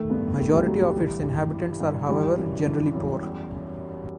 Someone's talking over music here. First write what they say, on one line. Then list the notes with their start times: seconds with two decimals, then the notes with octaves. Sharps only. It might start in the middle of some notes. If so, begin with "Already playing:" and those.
Majority of it's inhabitants are however generally poor.
Already playing: D#3 A3
0.10 G2 B3
0.38 D#3 A3
0.53 G3
0.66 G2 F#3
0.81 G3
0.96 E3
1.23 G2
1.52 E3
1.80 G2
2.09 E3 G3
2.37 F#2
2.66 E3
2.94 F#2
3.22 E2